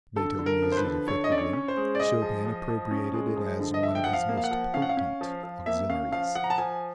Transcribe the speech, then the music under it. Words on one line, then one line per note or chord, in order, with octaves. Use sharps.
Beethoven used it effectively. Chopin appropriated it as one of his most potent auxiliaries.
D3 A4
D3
A#4
F3
C5
B4
D3
D3 C#5
D#5
C#4 D5
C#5
C#4
C5
G#3
D5
G#3 D#5
F3
F3
F3
C#4
G#3
F3
D3
D#5
F3 E5
G5
F3 F#5
F5
A#3
F5
F#5
F3
C#4 F5
F#5
F5
C#4
F3
F3
A#3 E5
C#4 F5
F3 F5
F3 F#5
A#5
A5
F3 G#5